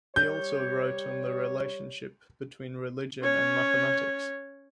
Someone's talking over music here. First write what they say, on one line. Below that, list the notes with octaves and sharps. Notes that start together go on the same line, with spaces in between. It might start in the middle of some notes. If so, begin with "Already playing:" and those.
He also wrote on the relationship between religion and mathematics.
G3 C#5 G6
C#4 C#5